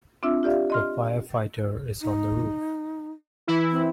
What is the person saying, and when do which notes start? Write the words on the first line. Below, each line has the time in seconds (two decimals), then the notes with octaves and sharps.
A firefighter is on the roof.
0.23 C4 D4 F4 E5 E6
0.43 F4 G4 D5 E5 F5
0.70 D#5 C6 F6
2.02 D#4
3.47 E3 E4
3.71 C4